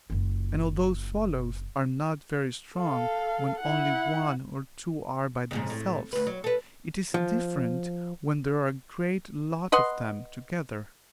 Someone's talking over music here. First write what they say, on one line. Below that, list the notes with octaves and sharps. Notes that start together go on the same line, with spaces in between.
And although swallows are not very strong when only one or two are by themselves, it is different when there are a great lot of them together.
F#1 F4
A4 F5
E4 F#5
F2 G#2 C#3
A2
D2 B4
F#3
A4 B4
F3
B4 D#5 F#5 C6